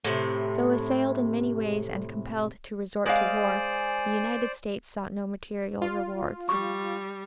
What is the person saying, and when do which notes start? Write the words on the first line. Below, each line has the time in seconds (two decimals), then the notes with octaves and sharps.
Though assailed in many ways and compelled to resort to war, the United States sought no material rewards.
0.05 A2 C3
3.06 G#3 C5 D5 F5 G#5
5.82 F4
6.49 G3 C#6